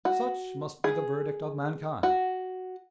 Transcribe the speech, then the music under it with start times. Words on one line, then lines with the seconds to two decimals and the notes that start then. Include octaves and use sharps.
Such must be the verdict of mankind.
0.05 F#4
0.84 G#4
2.03 F#4